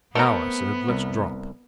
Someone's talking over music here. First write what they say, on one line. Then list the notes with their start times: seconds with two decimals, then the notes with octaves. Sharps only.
"Now," I said, "let's drop."
0.15 A3 B3 C4 A4 A#4 G5 A#5
0.88 C2